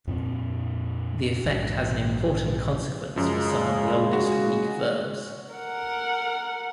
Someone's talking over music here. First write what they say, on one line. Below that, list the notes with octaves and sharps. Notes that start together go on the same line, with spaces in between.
The effect has an important consequence for some of the oldest weak verbs.
F2 A#2 C4
A#1 E2 G#2
F#2 C#3 F3 G#3
F#4
A#4 F#5